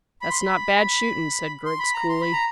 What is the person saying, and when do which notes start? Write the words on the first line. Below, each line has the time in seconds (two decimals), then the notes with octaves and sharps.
"That's not bad shooting," said Griggs coolly.
0.22 B5
0.30 C6
0.39 B5
1.66 C6
1.79 B5
1.94 A#5
2.09 C6
2.21 B5
2.33 A#5